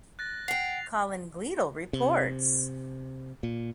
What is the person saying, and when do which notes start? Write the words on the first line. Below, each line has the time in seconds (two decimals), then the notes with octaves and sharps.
Colin Gleadell reports.
0.19 F#6 A6 A#6
0.48 F#5 G5 C7 F7
1.93 C3
3.43 A#2